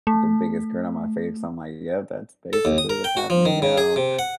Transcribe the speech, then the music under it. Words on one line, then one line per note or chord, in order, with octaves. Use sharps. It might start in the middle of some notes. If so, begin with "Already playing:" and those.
with the biggest grin on my face. I'm like, "Yeah, that's basically what's happening now."
A3
A4
D#2
D#6
A#4
G5
F#4
F3
D#3
C#3
G#4
C3
F#5